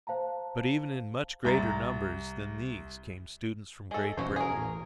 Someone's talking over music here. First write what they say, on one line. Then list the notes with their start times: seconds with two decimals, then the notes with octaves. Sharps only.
But even in much greater numbers than these came students from Great Britain.
0.07 C5 F5 A5 A#5
1.45 C2 A#5 A6
3.91 G#3 A4
4.17 E2 B2 C#4 F#4 C5
4.36 G#4 A#4
4.52 A1 A2